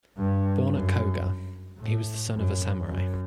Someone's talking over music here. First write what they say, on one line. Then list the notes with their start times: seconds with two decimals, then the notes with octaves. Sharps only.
Born at Koga, he was the son of a samurai.
0.17 G2
0.71 F#2
1.78 A2
2.33 F#2
2.87 F#2